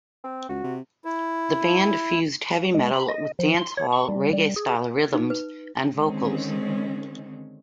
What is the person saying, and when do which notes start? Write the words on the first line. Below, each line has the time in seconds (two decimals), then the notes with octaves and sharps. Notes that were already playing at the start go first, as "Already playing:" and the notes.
The band fused heavy metal with dancehall reggae-style rhythms and vocals.
0.24 C4
0.49 C#2 F#4
0.64 C3
1.05 E4
2.75 G#3
2.94 B5
3.09 D#5
3.39 F3
3.56 C6
3.77 C#5
3.92 C#6
4.09 G3
4.33 G3
4.56 G#4
5.14 D#4
5.30 B4
5.95 D3 D#3 G#3 C4 C#4